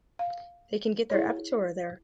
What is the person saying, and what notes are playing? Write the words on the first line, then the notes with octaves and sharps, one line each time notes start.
They can get their Abitur there.
F5
E4 G#4 C#5